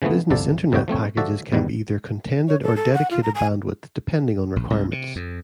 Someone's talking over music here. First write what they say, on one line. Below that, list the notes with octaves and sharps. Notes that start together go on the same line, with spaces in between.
Business internet packages can be either contended or dedicated bandwidth depending on requirements.
C#3 E3 F3 A3 B3
G1 C2 F3 A4 D5
G1 F2 C3 G3 F#4 G5
F3 A3 C4 C#5
D3 F3 F#4 A4 D5 E5
E2 B2 D#3 G3
C#5
A4
A4
F#5
F4
A#5
G#5
A#1
C2
C3
F2